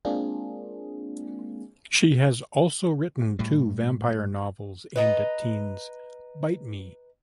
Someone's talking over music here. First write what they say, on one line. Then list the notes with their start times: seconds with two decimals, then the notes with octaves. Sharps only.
She has also written two vampire novels aimed at teens, Bite me!
0.05 G#3 A#3 C4 D4 F4 G#4
3.39 A2 G3
4.96 B4 D#5 A#5